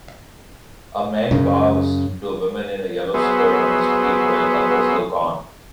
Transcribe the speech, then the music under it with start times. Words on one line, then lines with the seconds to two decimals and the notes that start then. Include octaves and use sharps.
A man bows to a woman in a yellow skirt on the street while others look on.
1.31 F#2 C#3
3.14 F#3 B3 G#4 C5 E5